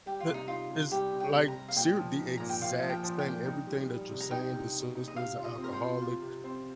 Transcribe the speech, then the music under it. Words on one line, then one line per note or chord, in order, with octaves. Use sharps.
the is, like, ser the exact same everything that you're saying, the sister's an alcoholic,
G3 G4
F4
C3
D#4
D#4 F4
C3
G3 G4
C3
G5
C3
A#5
G3
F5
A#2 G5
F3
D#4
A#2 A#5
G5
A#2 F5
F3
G5
F3
G5
A#2
D#4
G3
G3
C3
A#5
D#4 G5
C3
D#4
D#4
D#5
C3 F5
F4
D#5
C4
A#4
C5
F4
F4
C3
C4